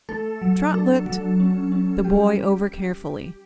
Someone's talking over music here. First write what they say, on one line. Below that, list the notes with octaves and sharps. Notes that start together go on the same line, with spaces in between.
Trot looked the boy over carefully.
A3 A4
F#3
D4 A4
F#3
C#4
C#4
G3 G4